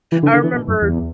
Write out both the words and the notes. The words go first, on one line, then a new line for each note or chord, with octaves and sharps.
I remember
E3
D3
D3
E3
B2
F#2
E2